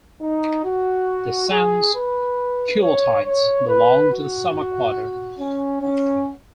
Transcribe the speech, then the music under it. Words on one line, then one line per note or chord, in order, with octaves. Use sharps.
The Sansculottides belong to the summer quarter.
D#4
F#4
G#4
B4
C#5
C#5
B4
F#4
C#4
C#4